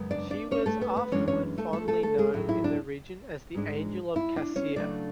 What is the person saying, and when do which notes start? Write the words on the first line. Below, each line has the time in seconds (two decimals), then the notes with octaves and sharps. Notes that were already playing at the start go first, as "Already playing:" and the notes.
She was afterward fondly known in the region as the "Angel of the Cassiar".
Already playing: F#2 C#3 G#3 B3
0.11 D4 D5
0.30 D4 D5
0.51 C#4 C#5
0.66 A3 A4
0.81 B3 B4
0.96 B3 B4
1.12 F#2 E3 G#3 B3 C#4 D4 C#5
1.28 C#4 C#5
1.58 A3 A4
1.73 A3 A4
1.88 A3 A4
2.03 A3 A4
2.18 G#3 G#4
2.33 A2 F#3 A3 C#4 E4
2.49 E4
2.64 D4
3.55 G#2 G#3 D4
4.16 E4
4.36 D4
4.56 C#4 C#5
4.76 C#3 F#3 A3 D4 D5